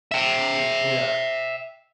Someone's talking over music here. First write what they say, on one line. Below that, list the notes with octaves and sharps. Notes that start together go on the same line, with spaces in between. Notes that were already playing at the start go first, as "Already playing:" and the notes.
Y yeah,
E5 G5